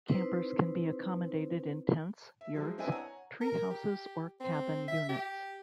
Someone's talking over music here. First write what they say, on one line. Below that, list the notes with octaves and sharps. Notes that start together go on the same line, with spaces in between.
Campers can be accommodated in tents, yurts, tree houses or cabin units.
C4 D#4 E4 B4 C5
E5
F3 F#3 G#3 E4 G#4
C4 D4 E4 B4 D#5 G#5
C#5 F#5 G#5 A#5
A#4
G4
C4
E5
G4